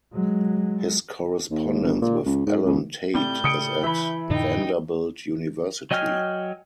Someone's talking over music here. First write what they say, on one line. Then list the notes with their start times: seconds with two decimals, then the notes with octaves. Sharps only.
His correspondence with Allen Tate is at Vanderbilt University.
0.13 F#3 G#3
1.51 D#2
1.83 G1
2.02 A#2
2.26 C#2
2.46 G#2
2.65 C#2
3.15 A2 G3 C4 G6
3.44 C#3 D#6 C#7 D7
3.83 E3 E5 B5
4.30 F2 A2 D3 D#4 G5
5.91 F#3 D#5 G5 G#5 F6